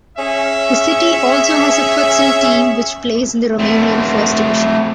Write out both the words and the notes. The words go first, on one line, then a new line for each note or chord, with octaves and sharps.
The city also has a futsal team which plays in the Romanian First Division.
C#4 G#4 E5
A3 C4